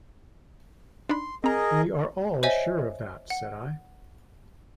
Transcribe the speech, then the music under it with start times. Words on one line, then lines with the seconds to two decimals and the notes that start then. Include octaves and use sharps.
"We are all sure of that," said I.
1.09 D4 D#4 B5 C6
1.44 C4 G#4 A#4 D#5 A#5
2.43 C5 C#5 D#5 E5 G#5
3.30 F#5